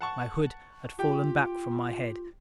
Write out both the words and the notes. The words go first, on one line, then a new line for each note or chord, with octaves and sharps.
My hood had fallen back from my head.
F#5 A5 C#6
F4 G4 G5